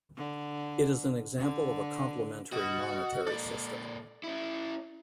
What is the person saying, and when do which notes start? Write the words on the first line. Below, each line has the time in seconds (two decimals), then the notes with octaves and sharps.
It is an example of a complementary monetary system.
0.17 D3
1.38 D3
2.52 B2 F#4
3.27 A#2 A4 D5
4.24 C#4 E4